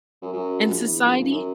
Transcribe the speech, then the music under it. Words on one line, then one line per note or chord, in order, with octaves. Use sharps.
in society.
F#2
F#2
A#1
E2
A#1
D#1
F#2